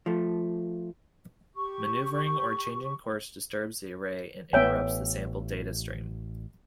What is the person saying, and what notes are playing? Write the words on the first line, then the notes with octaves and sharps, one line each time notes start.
Maneuvering, or changing course, disturbs the array and interrupts the sampled data stream.
F3 A3
G4 C#6
A1 B3 C#5 E5 G5 G#5